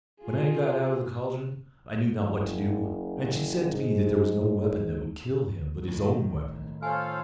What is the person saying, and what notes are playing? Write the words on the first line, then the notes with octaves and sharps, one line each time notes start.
When I got out of the caldron I knew not what to do; and she said to me that there was no weapon that would kill him but his own weapon.
F4 G#4
F#1
G#2
A2 D#3
F4 A4 C5 C#5 F5 G#5 F6